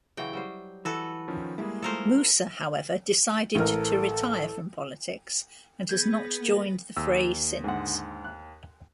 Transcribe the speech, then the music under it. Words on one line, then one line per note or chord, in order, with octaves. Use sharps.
Musa, however, decided to retire from politics and has not joined the fray since.
C#3 E3 F#3 G5
F#3 G3 C5
E3 F#4 A4 B4 E6
D#3 F3 C#4
G3 G#3 A#3 E4 G#4
F3 A3 A4 A#4 C5 F5
A1 A4 A#4
B3 G#4 B4 G6 G#6 A#6
A#3
D#2 E6
G#2 D3 F#5
F#6